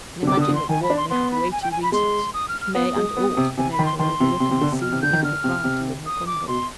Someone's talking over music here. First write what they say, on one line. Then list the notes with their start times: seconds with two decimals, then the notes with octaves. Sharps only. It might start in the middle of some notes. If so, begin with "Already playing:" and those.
I can imagine that the one may have weighty reasons, which may and ought to make her overlook any seeming Impropriety in her conduct.
0.23 D3
0.27 C3 D6
0.37 D3
0.41 D#6
0.49 D3
0.55 C6
0.69 D#3 G#5
0.83 B5
0.90 D4
0.97 C6
1.10 B3 C6
1.31 B5
1.52 G#5
1.62 G5
1.72 G#5
1.82 B5
1.92 G#3 C6
2.34 D#6
2.48 F6
2.61 F6
2.75 B3 D#6
2.96 G#3
3.17 B3
3.37 C3
3.58 C3 G#5
3.72 B5
3.79 D#3
3.86 C6
3.99 D#3 C6
4.20 C3
4.40 C3
4.51 C3
4.61 D3
4.72 C3
4.81 B2 F6
4.92 C3
5.02 D3 G6
5.13 D#3
5.23 D3 F6
5.44 C3
5.64 C3
6.06 D#6
6.27 D6
6.48 B2 C6